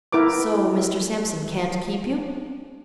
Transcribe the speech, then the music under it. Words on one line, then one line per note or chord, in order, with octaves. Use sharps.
"So Mr. Sampson can't keep you?"
E4 A#4 B4 D6